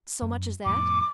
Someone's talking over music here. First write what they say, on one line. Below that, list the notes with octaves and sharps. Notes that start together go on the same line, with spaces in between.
"So much as that?"
F#2
F2 A2 B3 D6